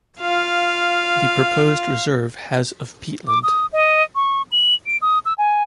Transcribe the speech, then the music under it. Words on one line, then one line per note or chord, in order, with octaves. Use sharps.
The proposed reserve has of peatland.
F4 F5
D6
D#6
D#5
C#6
F#7
D7
D#6
E6
G#5